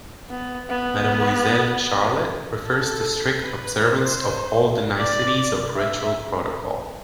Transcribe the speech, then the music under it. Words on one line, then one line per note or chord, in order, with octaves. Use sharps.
Mademoiselle Charlotte prefers the strict observance of all the niceties of ritual protocol.
B3
B3
A4
B4
C5
D5
E5